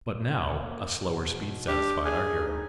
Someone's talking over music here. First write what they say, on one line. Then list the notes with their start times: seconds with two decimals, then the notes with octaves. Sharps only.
But now a slower speed satisfied our hero.
0.58 F#2 A#3
1.06 B2
1.68 D4 G4
2.05 G#4
2.40 G#2 G3 D#4